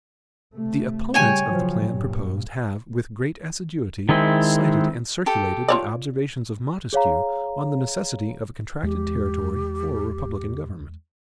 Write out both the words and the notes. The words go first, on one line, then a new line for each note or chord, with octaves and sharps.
The opponents of the plan proposed have, with great assiduity, cited and circulated the observations of Montesquieu on the necessity of a contracted territory for a republican government.
C3 A3
C#3 G3 C#5 G5 G#5
C#3 F3 F#3
G2 A#2
D#3 G#3 C4 E4
G4 A4
F4 C#5 D5
G#4 C#5 F5 A#5
E2 G#3 G4